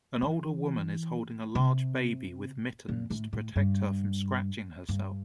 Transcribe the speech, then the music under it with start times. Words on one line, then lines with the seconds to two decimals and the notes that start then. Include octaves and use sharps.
An older woman is holding a large baby with mittens to protect her from scratching herself.
0.22 E3
1.55 C3
2.89 A#2
3.10 A2
3.33 A2
3.56 G2
4.89 G2